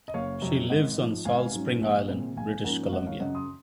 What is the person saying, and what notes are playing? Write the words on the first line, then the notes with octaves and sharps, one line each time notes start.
She lives on Salt Spring Island, British Columbia.
D#5
F#1 C#5 F5
F2 C3 F#3
G#1 D#5 F#5
G#2 F3
G#1 F5 G#5
G#2 F#3 C#4
A#1
A#2 G#3 C4
A#1 F5 G#5
G#2 F3 A#3 C#4 F#5 A#5
F5
G#1 D#5 F#5
C#5 F5
F#2 C#3 D#5 F#5
C6 D#6